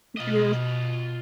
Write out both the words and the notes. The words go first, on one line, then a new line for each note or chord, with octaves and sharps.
If you were
B2 F4 D#5